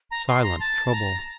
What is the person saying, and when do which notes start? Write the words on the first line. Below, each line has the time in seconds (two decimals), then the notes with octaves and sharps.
Silent trouble.
0.11 A#5
0.28 C6
0.44 A#5
0.60 A5
0.87 A5
0.94 A#5